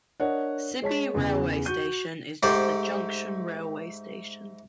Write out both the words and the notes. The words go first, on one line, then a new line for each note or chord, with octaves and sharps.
Sibi Railway Station is a junction railway station.
D4 A#4 C#5 D#5 F#5
G#3 C#5 A5 B6
E2 C#3
F#4 C#6 G6 D#7
G#2 A3 G4 C5 D5 C6